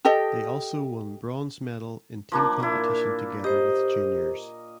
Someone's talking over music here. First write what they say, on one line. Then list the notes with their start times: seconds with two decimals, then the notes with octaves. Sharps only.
They also won bronze medal in Team competition together with juniors.
0.05 G4 A4 D#5 G5
2.32 F3 A#3 D4
2.60 A#2 E4
3.44 G4 C5 D#5